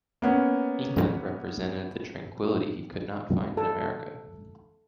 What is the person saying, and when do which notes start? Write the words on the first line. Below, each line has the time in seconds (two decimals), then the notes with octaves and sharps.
England represented the tranquillity he could not find in America.
0.22 A#3 B3 C#4
3.57 A4